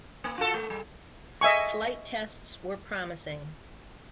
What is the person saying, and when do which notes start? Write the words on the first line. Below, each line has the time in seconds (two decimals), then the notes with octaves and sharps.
Flight tests were promising.
0.24 A#3
0.38 F4 F#4 A4
0.54 A3
0.70 G3
1.41 D#5 E5 G#5 C#6